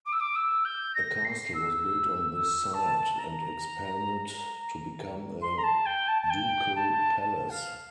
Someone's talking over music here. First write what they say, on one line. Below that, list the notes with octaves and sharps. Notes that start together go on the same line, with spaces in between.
A castle was built on this site, and expanded to become a ducal palace.
D6
E6
D6
E6
G6
A#6
C7
E6
A5
A#5
C6
A#5
A5
G5
A5
A5
G5
A5
A5
F5